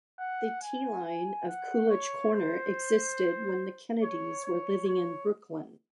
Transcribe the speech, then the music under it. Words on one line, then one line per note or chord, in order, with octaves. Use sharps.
The "T" line to Coolidge Corner existed when the Kennedys were living in Brookline.
F#5
G#5
G#5
F#5
C#5
C5
C#5
C#5
C#5